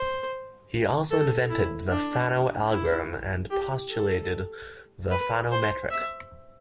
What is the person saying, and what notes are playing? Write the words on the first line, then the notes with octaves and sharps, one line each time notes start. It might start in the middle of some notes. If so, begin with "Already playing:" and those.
He also invented the Fano algorithm and postulated the Fano metric.
Already playing: C5
A4
E4
D4
E4
G4
A4
B4
C5
E5